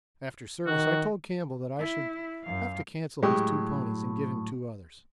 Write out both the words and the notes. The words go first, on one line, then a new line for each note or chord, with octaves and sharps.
After Service I told Campbell that I should have to cancel his two ponies and give him two others.
D#3 F#4
E4
F#2 F5
A2 F#3 G#3 G4